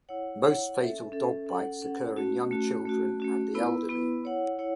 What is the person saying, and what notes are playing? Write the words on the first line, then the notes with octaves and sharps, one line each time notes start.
Most fatal dog bites occur in young children and the elderly.
E4 C#5 F#5
E4 C#5 F#5
C#4 A4 E5
C#4 A4 E5
C#4 A4 F#5
C#4 A4 F#5
A3 C#4 F#4
A3 C#4 F#4
A3 C#4 F#4
A3 C#4 F#4
B3 E4 B4
B3 E4 B4
E4 C#5 F#5
E4 C#5 F#5